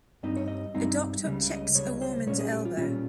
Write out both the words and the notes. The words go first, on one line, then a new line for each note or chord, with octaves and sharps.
A doctor checks a woman 's elbow.
G2 G3 C4 D#4 D#5
C#5
D#5
G2 G3 C4 D#4
C#2 C#3 G3
D#5
C#2 C#3 G3 C#5
C5
A#2 G3 C#4 C#5
G#4
G4
F4
A#2 G3 C#4 F4